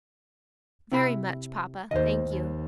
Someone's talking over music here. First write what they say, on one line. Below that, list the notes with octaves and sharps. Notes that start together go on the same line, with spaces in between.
"Very much, papa, thank you."
C3 E4 B5
D#2 C5 D#5
D#2